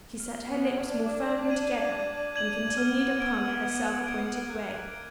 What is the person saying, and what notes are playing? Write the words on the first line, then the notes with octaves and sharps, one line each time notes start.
She set her lips more firmly together and continued upon her self-appointed way.
F6
B3
G#6 D7 F#7
D4
D6
G#6 D#7 F#7
D6
G#6 D#7 F#7
B3 F6
G#6 D7
F6
G#6 D7
A#3 F#6
D7